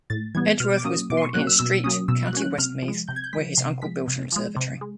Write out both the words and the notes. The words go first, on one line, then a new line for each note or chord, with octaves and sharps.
Edgeworth was born in Streete, County Westmeath, where his uncle built an observatory.
A2 A6
E3 G3 B3 G#6
B2 F6
D6
F#3 A#3 C#4 D#6
B2 D6
C6
C#6
F#3 A#3 C#4 F#6
E6
B2 E6
F#3 A#3 C#4 D#6
B2 E6
F#6
F#3 A#3 C#4
F#6
C3 F6
F3
G#3
C3 G6
G#6
G6
F3 G#3 B6
C3 C7
F3 G#3 B6
C3
F3 G#3
C3
G#3